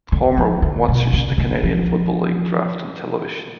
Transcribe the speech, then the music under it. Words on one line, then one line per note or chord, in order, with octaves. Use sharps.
Homer watches the Canadian Football League Draft on television.
D3
F3
D3
B2
C#3
D3
F3